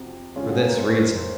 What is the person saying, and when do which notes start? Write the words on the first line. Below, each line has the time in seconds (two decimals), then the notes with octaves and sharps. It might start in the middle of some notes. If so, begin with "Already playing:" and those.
For this reason.
Already playing: F2 C3 F#4
0.36 C#3 G#3 C#4 F4
0.48 F#4
0.52 G#4
0.68 A#4
0.79 C5
0.89 C#5
1.00 C#5
1.16 C5